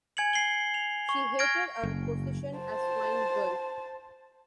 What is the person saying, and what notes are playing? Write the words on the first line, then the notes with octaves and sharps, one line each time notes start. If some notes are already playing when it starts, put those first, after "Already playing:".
She hated her position as swine-girl.
G#5 G#6 C#7 F#7
C7 F#7 G7
F7
C#6
C#6 F6 G#6 A#6 D7
F#1
C5 A5